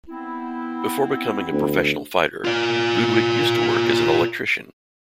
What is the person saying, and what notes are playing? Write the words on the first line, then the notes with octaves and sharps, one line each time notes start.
Before becoming a professional fighter, Ludwig used to work as an electrician.
B3 C4 E4
D2
F4 D5